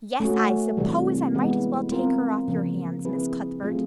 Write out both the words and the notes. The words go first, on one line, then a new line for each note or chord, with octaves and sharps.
Yes, I suppose I might as well take her off your hands, Miss Cuthbert.
A3 C#4 F#4
C3 E3 G3
E3 G#3 B3
C4 F4 A#4
C#3 F3 A#3
C4 E4 G#4 B4
F#3 A3 C4 F4 G#4